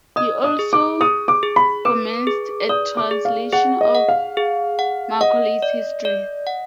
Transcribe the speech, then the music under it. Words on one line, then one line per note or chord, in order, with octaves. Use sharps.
He also commenced a translation of Macaulay's "History".
D#5 D#6
D#6
G#4
D6
G#4 D#6
D6
G#4
B5
B4 D6
G#4
D5 D#6
D6
G#4
F5
G#4 F#5
D#5
F#5
F5
G#4
F#5
D#5 F#5
D5
D5
F#5